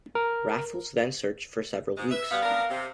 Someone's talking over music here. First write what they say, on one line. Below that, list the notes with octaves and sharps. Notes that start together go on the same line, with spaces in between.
Raffles then searched for several weeks.
A#4
G#2 G#3
B4 E5
B2 G3 B3 F5
B3 D4 A#4
C3